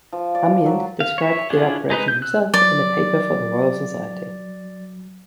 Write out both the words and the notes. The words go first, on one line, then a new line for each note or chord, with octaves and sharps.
Amyand described the operation himself in a paper for the Royal Society.
F3
D5
F#3
F5
C#5 E5
C#4 D4 E4 F4 G#4
G#3 D#4 B4 D#5
G6
E6 F#6
F#3 D5